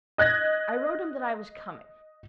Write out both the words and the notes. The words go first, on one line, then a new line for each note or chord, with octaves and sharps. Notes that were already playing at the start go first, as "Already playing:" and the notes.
I wrote him that I was coming.
D#5 F#6 G#6 A#6